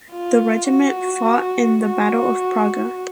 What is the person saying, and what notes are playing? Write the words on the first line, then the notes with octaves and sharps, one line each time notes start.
The regiment fought in the battle of Praga.
F4
F#4
F#4